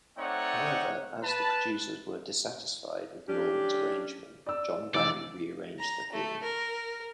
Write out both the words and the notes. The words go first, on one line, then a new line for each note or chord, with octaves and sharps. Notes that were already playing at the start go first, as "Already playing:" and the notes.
However, as the producers were dissatisfied with Norman's arrangement, John Barry re-arranged the theme.
A3 C4 D#4 C#5 D5 F#5
B4 A5
C#4 D4 G4
D5 E6
F1 E3 D5 E6
A#5
A3
A#4